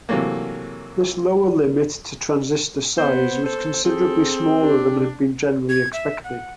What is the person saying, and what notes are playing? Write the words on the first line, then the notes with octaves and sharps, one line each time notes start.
This lower limit to transistor size was considerably smaller than had been generally expected.
C3 E3 F#3 A3 A#3
B3 C5
A4 C5
C4 G#4 A4
D4 G4
G#6
E5
F#5